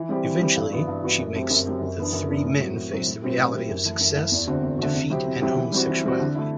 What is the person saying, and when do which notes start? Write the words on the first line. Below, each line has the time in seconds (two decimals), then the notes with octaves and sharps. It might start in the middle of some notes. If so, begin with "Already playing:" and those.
Eventually, she makes the three men face the reality of success, defeat and homosexuality.
Already playing: E3
0.09 G3 C4 G4
0.25 E3
0.41 G3 C4 G4
0.56 G2
0.72 E3 B3 F#4
0.87 G2
1.03 E3 B3 F#4
1.19 F#2
1.34 F#3 A3 C4 G4
1.50 F#2
1.66 F#3 A3 C4 G4
1.81 F#2
1.97 E3 B3 D4
2.13 F#2
2.28 E3 B3 D4
2.44 A2
2.59 F#3 C4 F#4
2.75 A2
2.91 F#3 C4 F#4
3.07 A2
3.22 F#3 C4 E4 G4
3.38 A2
3.53 F#3 C4 E4 G4
3.69 F#2
3.84 E3 A3
4.00 F#2
4.16 E3 A3
4.31 E2
4.47 D3 A3 C4 F#4
4.63 E2
4.78 D3 A3 C4 F#4
4.94 C3
5.10 F#3 C4 E4 G4
5.25 C3
5.41 F#3 C4 E4 G4
5.57 E3
5.72 G3 C4 F#4
5.88 E3
6.04 G3 C4 F#4
6.19 D3
6.35 A3 E4